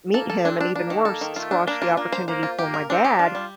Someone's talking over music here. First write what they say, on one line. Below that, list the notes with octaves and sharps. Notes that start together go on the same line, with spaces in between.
meet him, and even worse, squash the opportunity for my dad
A#3 A4
A4
C4 D4
D4
A#3 D4
D#3
A4
D#3
A3 F4
D4
A#3 D4
F4
A#3 D4
C5
A#3 C5
F4
A#3 G4
A#4
C4 D4
G4
D4 F4
G3